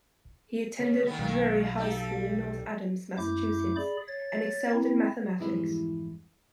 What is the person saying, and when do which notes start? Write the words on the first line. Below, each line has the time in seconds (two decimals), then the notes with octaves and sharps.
He attended Drury High School in North Adams, Massachusetts and excelled in mathematics.
0.80 C#3 C#5
1.07 D#3 A3 B3
1.19 B1 D#3 F5
1.78 G3 D#4 A4
3.18 F#2 A3 E4 D6 G6
3.77 G#4 D5 B5
4.08 C#5 A6
4.73 C4 E4
5.40 F2 G#2 E3 G3 G#3 E4